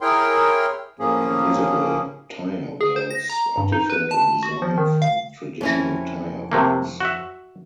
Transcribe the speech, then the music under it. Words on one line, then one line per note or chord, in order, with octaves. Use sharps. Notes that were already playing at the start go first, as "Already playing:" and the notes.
Invisible tire valves are different in design from traditional tire valves.
E4 G#4 A#4 C#5 G5 C6
A2 F3 A#3 C#4 G#4
G#4
C5
A#6
A#5
G2
D#4
B4
A5
F#4
F3
D#3
F5
F2 C#4 E4
C3 A3 A#3
F#4 E5